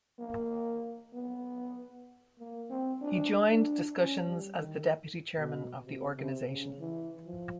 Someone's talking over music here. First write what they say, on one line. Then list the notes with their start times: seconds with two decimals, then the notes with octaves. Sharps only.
He joined discussions as the Deputy Chairman of the organization.
0.19 A#3
1.13 B3
2.39 A#3
2.70 C4
3.02 D4
3.50 D4
3.97 C#4
4.27 G3
4.59 D#3
5.38 B2
5.85 C3
6.17 C3
6.48 C#3
6.80 E3
7.26 F3